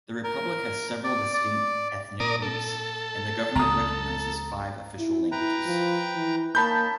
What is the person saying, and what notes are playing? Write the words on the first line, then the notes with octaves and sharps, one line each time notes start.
The republic has several distinct ethnic groups, and the government recognizes five official languages.
A#4
D5
D5
A#2 A#4 D5 D#6
A4
C#2 A#5 D#6
E4
E4 B4 G5 A#5
F3
E3
A#3 C#4 D#4 A5 B5 G6